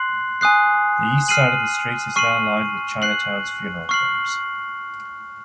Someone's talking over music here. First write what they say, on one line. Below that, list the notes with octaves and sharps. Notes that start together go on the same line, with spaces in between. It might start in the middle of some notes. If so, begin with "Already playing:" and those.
The east side of the street is now lined with Chinatown's funeral homes.
Already playing: C6 F#6 C7 F#7
G#5 D#6 F#6 C7
F6 C7 D#7 F#7
C#6 F6 C7 D#7 F#7
F#6 C7 F#7
C#6 F6 C7 F#7